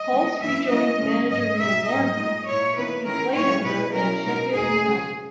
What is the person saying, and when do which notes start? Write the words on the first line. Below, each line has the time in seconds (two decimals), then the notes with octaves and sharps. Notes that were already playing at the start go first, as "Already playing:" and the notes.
Hulse rejoined manager Neil Warnock who he played under at Sheffield United.
Already playing: D#5
0.12 D#3 G#3 B3
0.42 F#2 E3 A#3 E4 E5
0.70 D#3 G#3 C#4 E4 D#5
1.00 F#2 C#3 G#3 C#4
1.29 G#2 F#3 C#4 D#5
1.59 B2 G#3 D#4 E5
1.88 G#2 F#3 B3 D#4 D#5
2.18 A#2 G#3 D#4
2.47 A#2 A#3 E4 C#5
2.76 D#3 A#3 E4 B4
3.05 D#3 G#3 C#4 E4 A#4
3.35 A#2 F#3 C#4 E4 C#5
3.64 B2 G#3 B3 E4 B4
3.94 B2 F#3 C#4 E4 A#4
4.23 B2 G#3 D#4 A#4
4.53 E2 B2 G#3 D#4 G#4
4.82 F#2 C#3 G#3